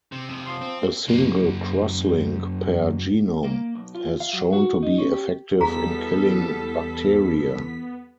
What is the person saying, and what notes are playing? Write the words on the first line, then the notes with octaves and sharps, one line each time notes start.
A single crosslink per genome has shown to be effective in killing bacteria.
C3
F2 C3
F3 C6
C4
F#2 A#3
A#3
B1
F4
F5
F#3
F#4
D#4
C#4
G4
E2 G3 B3 F#4 G#4 A4 A#5 B6